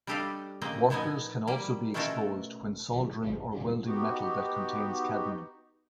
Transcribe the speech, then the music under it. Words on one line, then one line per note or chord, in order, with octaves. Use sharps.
Workers can also be exposed when soldering or welding metal that contains cadmium.
G3 D4 G4 A4 D#5 F5
C#3 A#3 C4 D#5
A#2 F3 B3 D#4 G#5
G3 A#3
B2 A3 C#4 F4 A4 A#4
B3 D#4 F#4 G4